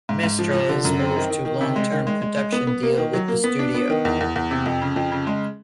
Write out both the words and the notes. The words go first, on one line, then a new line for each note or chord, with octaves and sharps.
Mestres moved to long term production deal with the studio.
G#2
G#2
F3
F3
D3
F#2
C4
D#3
D#3
D#3
C3
G#3
D#3
G#3
G#3
G#3
B3
B3
A#3
D#3
F#3
A#3
B3
D4
B3
D#3
E2
E2
E2
C3
F2
C#3
F2
C#3
G#3